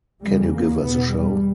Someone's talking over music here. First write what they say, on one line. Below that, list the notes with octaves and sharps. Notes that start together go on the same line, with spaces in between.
Can you give us a show?
E2 C#3 G3
A#3
E2 B2 B3
G3